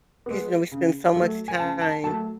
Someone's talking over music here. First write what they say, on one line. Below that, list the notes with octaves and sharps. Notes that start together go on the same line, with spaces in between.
'cause, you know we spend so much time
G#3 B3
C#3
F#3 A3
G#5
C#3 A5
A5
F#3 A3 A5